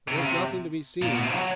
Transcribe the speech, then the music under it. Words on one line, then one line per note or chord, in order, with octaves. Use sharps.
There was nothing to be seen.
C3
C#3
C3
A#2
B2
C3
F#3